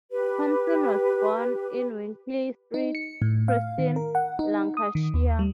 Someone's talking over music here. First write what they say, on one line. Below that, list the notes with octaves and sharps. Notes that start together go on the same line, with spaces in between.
Thompson was born in Winckley Street, Preston, Lancashire.
G4 B4
D#4
C#7
A2
F5
D#3
A#4
F#5
D#4
D#6
D#3
D#2
G3